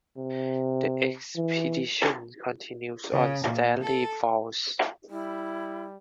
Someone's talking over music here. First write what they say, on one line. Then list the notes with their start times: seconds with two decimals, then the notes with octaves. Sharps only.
The expedition continued on to Stanley Falls.
0.17 C3
1.36 E3
3.12 C#3
3.45 A#2
3.81 A4
5.10 G3 E4